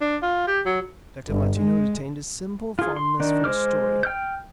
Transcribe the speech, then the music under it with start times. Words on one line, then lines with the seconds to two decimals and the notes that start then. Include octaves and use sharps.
Dr. Martineau retained a simple fondness for a story.
0.01 D4
0.22 F4
0.48 G4
0.66 F#3
1.28 G1
1.59 G#3
2.79 F4 G#4
2.96 C6
3.20 D#3 D4 D#4
3.44 G#3 C5 D6 F6
4.03 G5 F6 G6